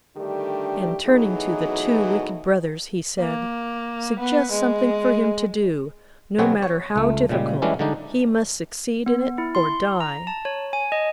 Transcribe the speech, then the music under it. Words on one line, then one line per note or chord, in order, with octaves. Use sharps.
And turning to the two wicked brothers he said, 'Suggest something for him to do; no matter how difficult, he must succeed in it or die.'
D3 D#3 G3 A3 D4 G4
B2 E3 F#3 A3 D#4 G#4
A#3
B3
G#3
B2 F#3 C4 F#4 G#4 B4
C#5
C#2 A3
A#2 C#3 G3 G#3
E3 G3 G#3 C#4 D4 E4
D3 G3 G#3 D4 D#4
B3
E4
C6
A#5
A5
C#5
G#5
D#5